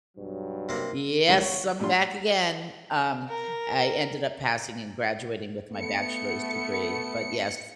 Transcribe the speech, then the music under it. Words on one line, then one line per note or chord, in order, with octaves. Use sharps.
"Yes, I'm back again." Um, I ended up passing and graduating with my bachelor's degree, but yes.
B1 G2 F#3
C3 A#3
C#2 D#3 G3
C#5
A2 G3 D4 F4 C6
A#4
A3 B3 C#7